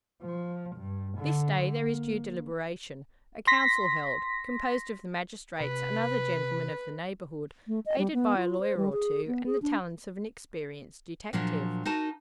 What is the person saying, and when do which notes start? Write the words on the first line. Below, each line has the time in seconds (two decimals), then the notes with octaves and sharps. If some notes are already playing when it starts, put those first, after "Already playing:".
This day there is due deliberation; a council held, composed of the magistrates and other gentlemen of the neighbourhood, aided by a lawyer or two, and the talents of an experienced detective.
0.22 F3
0.76 G2
1.18 D3
1.78 A#3
3.47 C6 A#6 B6
5.60 C3 B4
7.67 A3
7.86 D#5
7.98 G3
8.14 B3
8.37 F4
8.60 C5
8.77 G3
8.93 G#4
9.27 B3
9.46 G#4
9.62 D4
11.33 A#2 F3 F#3 D4
11.85 D#4 F#4 A#4 G#5 A5